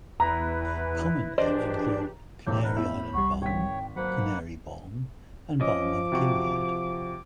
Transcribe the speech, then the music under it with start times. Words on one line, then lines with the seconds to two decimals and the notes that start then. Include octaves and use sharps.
Common names include Canary Islands-balm, Canary balm, and Balm-of-Gilead.
0.20 E2 E4 B4 A#5
1.38 C#2 E3 D4 G4 C5 D5 D#5
2.47 E1 A2 A#3 C4 G4 G6
2.64 A#4 B4
2.77 E2 A2 E5 B5 E6
3.14 C2 G3 F#5 C#6
3.42 G#1 C#5 G5 B6
3.96 F#3 A#3 B4 C5 F#5
5.60 F3 C#4 D#5 D6
6.12 C3 F#4 C#6